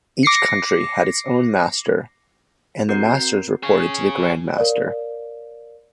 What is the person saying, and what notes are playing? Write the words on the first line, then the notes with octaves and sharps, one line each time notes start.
Each country had its own Master, and the Masters reported to the Grand Master.
D6 A#6 C7 C#7
C4 F#4 A#4 G6 C7
G#4 C#5
A#4 C#5 D5 F5